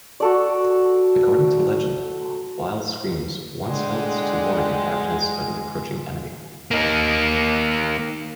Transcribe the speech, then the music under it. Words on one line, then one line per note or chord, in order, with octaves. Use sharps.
According to legend, wild screams once helped to warn inhabitants of an approaching enemy.
F#4 A4 D5
D3 G#3 F#5 G5
A#3 D#4